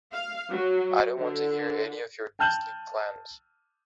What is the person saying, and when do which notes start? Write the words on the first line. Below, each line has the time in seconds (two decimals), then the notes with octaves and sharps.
I don't want to hear any of your beastly plans.
0.13 F5
0.50 F#3
1.19 D3
2.39 G5 A5 F6 G6 E7 F#7